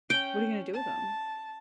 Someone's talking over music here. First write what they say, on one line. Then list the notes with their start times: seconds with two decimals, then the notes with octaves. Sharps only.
what are you gonna do with 'em?
0.10 C#4 G5
0.74 A5